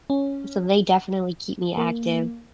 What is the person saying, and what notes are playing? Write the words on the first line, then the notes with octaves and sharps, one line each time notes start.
so they definitely keep me active,
C#4
A#3